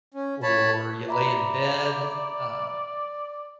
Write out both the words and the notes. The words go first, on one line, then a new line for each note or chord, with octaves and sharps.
or you lay in bed, uh,
C#4
C#5 A5 B5
D5 E5 A#5 B5